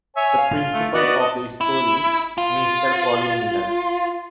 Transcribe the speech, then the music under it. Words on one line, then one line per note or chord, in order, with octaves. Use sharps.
The principal of the school is Mister Colin Millar.
C#5 E5 G#5
F5
F4
A3
B3 F#4 D5 D#5
D#5 A5
E4
F4